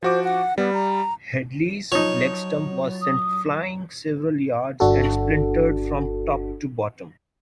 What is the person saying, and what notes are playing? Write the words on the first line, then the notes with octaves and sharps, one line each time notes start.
Headley's leg stump was sent flying several yards and splintered from top to bottom.
F3 F#4 C5 D6
F#5
G3 B3
A#5
F3 F#3 D#4 C#5
D#6
G1 D4 F#4 A4